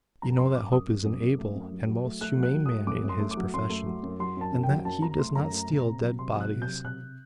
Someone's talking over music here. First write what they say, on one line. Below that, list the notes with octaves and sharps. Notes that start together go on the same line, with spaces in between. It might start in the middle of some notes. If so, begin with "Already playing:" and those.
You know that Hope is an able and most humane man in his profession, and that he does not steal dead bodies.
F#2 A#5
F#2 C6
F#2 D6
F#2 D#6
F#2
F#2
F#2
A3
F#2
F#3
F#3
A3
A3 F#6
F#3
F#6
F#3
D#6
A3
F#2 D6
F#2
C6
A3
D6
F#3
F#2 C6
A3
F#3
F#2
F#3 C6
F#2 A5
F#2
G5
F#3
F#2 A5
F#2 A#5
A3 C6
F#2 A#5
A3
C3
C3
F#3
C3 C6
F#3
F#6
C3
G6
F#3
C3 F#6
C3